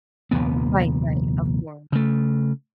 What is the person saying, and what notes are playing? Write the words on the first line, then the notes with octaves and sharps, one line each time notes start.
Right, right, of course.
F1 A#1 D#2 B3
C#3 A3